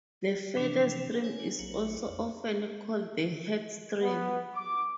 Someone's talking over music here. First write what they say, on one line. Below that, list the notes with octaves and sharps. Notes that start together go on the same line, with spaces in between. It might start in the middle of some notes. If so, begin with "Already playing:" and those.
The furthest stream is also often called the headstream.
C3 E3 F3 D4
C#5 G#5
A#1 F#3
F2
B3
D6